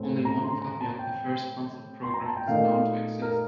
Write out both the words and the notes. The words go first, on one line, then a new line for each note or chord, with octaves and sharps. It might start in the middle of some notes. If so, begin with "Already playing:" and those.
Only one copy of the first concert program is known to exist.
Already playing: A2 A3 C4
A#5
C6
A#5
A5
G5
C6
A#5
A5
G5
A#2 A3 D#4 F5
A#4